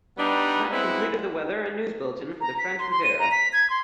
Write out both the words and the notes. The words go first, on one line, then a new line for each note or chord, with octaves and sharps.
That completed the weather and news bulletin for the French Riviera.
G3 B3 D4 D#4
G#3 B3 C4 E4
A#5
B6
C6
C6
D#7
A#5
B6
G#6
C6